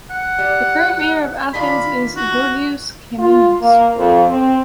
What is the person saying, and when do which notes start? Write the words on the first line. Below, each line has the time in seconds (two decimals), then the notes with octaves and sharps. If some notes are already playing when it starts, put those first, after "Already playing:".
The current mayor of Athens is Giorgos Kaminis.
0.10 F#5
0.38 G3
1.54 D#3 D4 F4 B5
2.16 F#4
3.18 F4
3.61 A#3
3.95 F2
4.28 C4